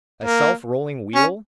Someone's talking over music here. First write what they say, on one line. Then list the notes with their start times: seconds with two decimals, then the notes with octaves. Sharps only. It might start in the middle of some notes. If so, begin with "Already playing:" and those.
A self-rolling wheel?
0.24 A#3
1.15 C#4